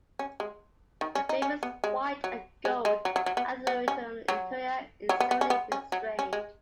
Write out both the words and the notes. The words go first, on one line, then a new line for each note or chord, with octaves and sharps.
The famous white and gold auditorium interior is similarly restrained.
C#4
G#3
D#3
C#4
D#4
C#4
B3
G#3
F#3
G#3
G#3
F#3
F#3
F#3
B3
B3
C#4
F#3
F#3
B3
B3
C#4
B3
C#4
F#3
C#4
G#3